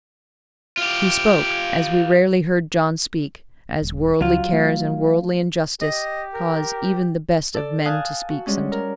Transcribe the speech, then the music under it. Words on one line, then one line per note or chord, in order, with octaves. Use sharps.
He spoke--as we rarely heard John speak: as worldly cares and worldly injustice cause even the best of men to speak sometimes.
F4 G4
D#1
C#2 F#3 F4
A3
G4 D#5
A#4
A4 D5
F5 G#5 A5 D#6 F#6
F#4
G3 G#3 C#4
A#4